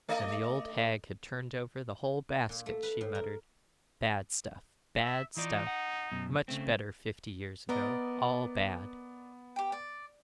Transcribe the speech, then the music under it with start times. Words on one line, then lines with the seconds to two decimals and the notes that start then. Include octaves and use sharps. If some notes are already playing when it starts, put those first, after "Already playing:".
When the old hag had turned over the whole basket she muttered, 'Bad stuff, bad stuff; much better fifty years ago--all bad.'
0.09 A3 D5 D#5
2.49 A#2
2.66 A3
2.83 B4
3.01 A2
3.15 A#4
5.01 E5
5.37 E3 D#4 F4 D5
5.67 F#5
6.12 F#2 B2
6.48 C#3 A3 C4
7.69 B3 A#4 D5 D#5
9.56 G4 G5
9.72 D5